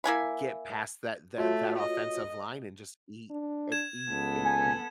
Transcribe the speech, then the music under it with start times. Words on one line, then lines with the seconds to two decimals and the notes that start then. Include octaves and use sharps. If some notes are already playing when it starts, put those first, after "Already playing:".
get past that that that offensive line and just eat and eat and eat.
0.04 A#3 E4 G#5 B5
1.38 A3 F4 F#4 C#5
1.78 D#5
3.30 D4
3.72 G#6 E7
4.09 C#2 B3 A4
4.46 G#5